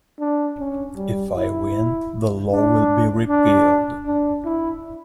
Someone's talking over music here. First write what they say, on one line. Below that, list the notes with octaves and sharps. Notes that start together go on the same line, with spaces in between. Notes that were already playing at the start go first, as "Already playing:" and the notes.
If I win, the law will be repealed.
D4
C#4
G3
E4
D4
D4
D4
E4